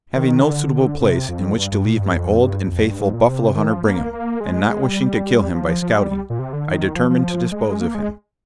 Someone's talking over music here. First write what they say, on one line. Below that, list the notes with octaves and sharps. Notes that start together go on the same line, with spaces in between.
Having no suitable place in which to leave my old and faithful buffalo-hunter Brigham, and not wishing to kill him by scouting, I determined to dispose of him.
D#3
D3
C3
F2
G2
G2
A#2
G2
F2
G2
F2
G2
G#2
A#2
C3
D#3
F3
A#3
A#3
G#3
G#3
G3
F3
F3
G3
G3
A#2
C3
D3
D#3
F3
F3
G#3
A#3
G#3